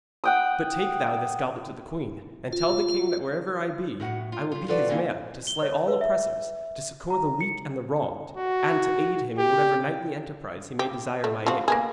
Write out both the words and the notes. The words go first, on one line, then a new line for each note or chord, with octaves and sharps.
'But take thou this goblet to the queen, and tell the king that wherever I be, I will be his man, to slay all oppressors, to succour the weak and the wronged, and to aid him in whatever knightly enterprise he may desire my aid.
F#5 G5 D#6
F4
A2 F#4 F#5
F4
G3 F4
F4 F#4 A4 B4 D5
E3 A#3 C4 C#4 F4
G7
C#5
B4
E5
A#5
C#7
F#4
G4
G4
A3
F3 F#4
A#3 B3 G#4